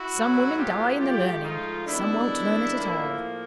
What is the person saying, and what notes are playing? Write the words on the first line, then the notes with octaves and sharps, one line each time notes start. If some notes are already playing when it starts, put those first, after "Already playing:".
Some women die in the learning. Some won't learn it at all.
Already playing: E4 F#4
A2 F#3 B3
F4 G4
G#2 F3 A3 F4 G4
D#4 F4
G2 D#3 G#3 B3 D4 E4
A2 F3 A#3